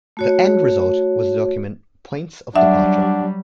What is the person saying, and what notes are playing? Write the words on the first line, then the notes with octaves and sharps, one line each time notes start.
The end result was the document "Points of Departure".
A3 F#4 C#5
F#3 G3 D4 E5 F#5